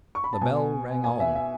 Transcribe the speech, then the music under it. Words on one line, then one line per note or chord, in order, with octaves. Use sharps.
The bell rang on.
C#6
B5
A5
B2 G#5
G#5
E5
E5